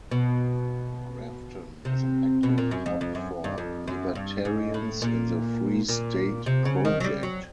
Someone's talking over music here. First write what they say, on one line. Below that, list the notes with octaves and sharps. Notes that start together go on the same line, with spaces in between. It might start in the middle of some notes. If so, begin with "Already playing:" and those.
Grafton is an active hub for libertarians in the Free State Project.
B2
C3
B2
A#2
F#2
F2
F2
F#2
G2
F2
F#2
G2
G#2
A2
A#2
A#2
C3
C#3
D#3
F#3
G3
F#3